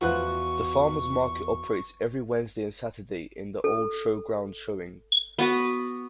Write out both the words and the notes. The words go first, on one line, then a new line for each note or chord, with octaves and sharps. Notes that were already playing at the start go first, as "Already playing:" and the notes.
The Farmer's Market operates every Wednesday and Saturday in the old showground showing.
E2 F3 F4 F#4 B4 C#6 F#6
A4
B3 F#4 B4